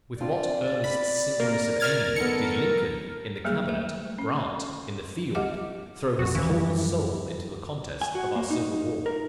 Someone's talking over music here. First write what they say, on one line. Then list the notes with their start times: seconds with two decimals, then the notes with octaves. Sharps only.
With what earnest singleness of aim did Lincoln in the cabinet, Grant in the field, throw his whole soul into the contest of our civil war?
0.21 C4 D4 F4 D5
0.84 B5
1.40 A#3 A#4
1.80 F6 G#6 A6
2.16 D#3 B3 A4 C#7
3.45 F#3 G3 A#3 G#4
3.69 A3 E5
4.19 C#4
5.35 G3 G4 D#5 F#5 D6
6.19 F1 A#1 F#4
6.35 A1 D#2 C#3 E3
6.50 F#2 F3 G3
8.01 G#5
8.15 F#4
8.36 A#3
8.51 D#4
9.06 A#4